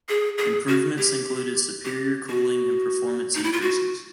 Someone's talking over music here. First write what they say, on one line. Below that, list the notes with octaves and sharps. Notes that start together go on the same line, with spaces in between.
Improvements included superior cooling and performance increases.
G#4
G#4
F#4
G4
G4
F#4
D#4
E4
F4
F#4